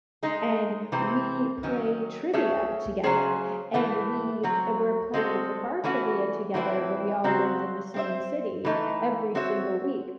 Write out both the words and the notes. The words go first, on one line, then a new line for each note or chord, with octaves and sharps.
and we play trivia together, and we were playing the bar trivia together when we all lived in the same city, every single week.
G#3 D#4 G#4
C3 E3 C4
D#3 F#3 C#4
A3 C#4 G#4 C#5 E5
C#3 F#3 C#4 G#4 C5
A2 E3 A3
F#3 C4 F#4 C#5
G#3 C4 F#4 A4
E3 A3 C#4 F#4
A2 E3 C4 E4
C#3 F#3 C4 F#4 C5
C4 E4 C5 E5
E3 A3 D#4
C4 F#4 C#5 E5